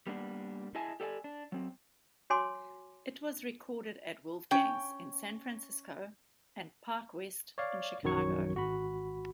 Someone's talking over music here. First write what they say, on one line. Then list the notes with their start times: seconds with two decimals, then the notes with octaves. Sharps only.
It was recorded at Wolfgang's in San Francisco and Park West in Chicago.
0.07 G3 A#3 B3 D4
0.75 E4 G#4 D#5 E5 G#5 A5
1.00 G4 A4 D5 F5 G#5
1.24 D4
1.52 F#3 C4
2.30 F#4 C#5 G#5 C6 D6
4.51 C#4 G5
7.58 C#5 D5 F5
8.03 A#1 F#2 D#3 F#3 C#5 C#6
8.54 G#1 F#4 B5